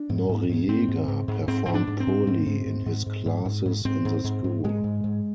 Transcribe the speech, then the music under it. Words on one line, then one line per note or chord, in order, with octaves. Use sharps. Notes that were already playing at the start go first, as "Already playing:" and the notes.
Noriega performed poorly in his classes in the school.
Already playing: D4
G#2
G#2
G#2
G#2 C4
G#2
G#2
G#2
G#2 C4
G#2 C4
D4
G#2
C4
G#2
G#2
G#2
G#2
G#2
G#2
G#2
G#2
G#2
G#2 C4
G#2
G#2
G#2
G#2 G#3
G#2
G#2